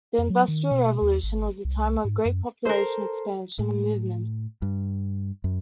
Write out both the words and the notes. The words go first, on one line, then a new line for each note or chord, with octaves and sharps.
The Industrial Revolution was a time of great population expansion and movement.
F2
F#3
D#3
B2
D#2
G#1
C2
G#2
F#2
A4 A#4 C5
A2
G2
F#2